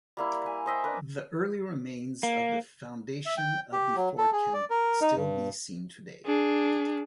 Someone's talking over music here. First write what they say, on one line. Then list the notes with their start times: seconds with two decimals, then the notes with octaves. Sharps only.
The early remains of the foundation of the fort can still be seen today.
0.17 G3 A#3 E4
0.46 G#5
0.66 C5 D#5 E5 G5
0.84 D4 A#4 B4
2.23 A#3
3.26 E5
3.38 G5
3.73 G4
3.96 F#3
4.18 A4
4.33 G#4
4.53 D5
4.70 A#4
5.01 D#4
5.16 G2
6.26 D4 G#4